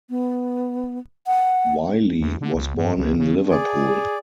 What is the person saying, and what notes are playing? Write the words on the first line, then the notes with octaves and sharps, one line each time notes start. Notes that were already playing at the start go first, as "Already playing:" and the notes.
Wylie was born in Liverpool.
B3
F#5
E2
D3
C#2
G2
C#2
C#3
G#4 D5